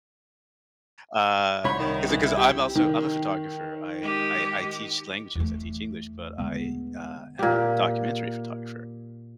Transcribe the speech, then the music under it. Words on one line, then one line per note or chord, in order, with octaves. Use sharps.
Uh, 'cause, uh, 'cause I'm also I'm a photographer, I I I teach languages, I teach English, but I, uh, am a documentary photographer,
C2 D#4 C#5 B5
D#3
E3
E4
G4
D#3
G#3 G4
E2 A3
D3 G#3 B3
A#2 G4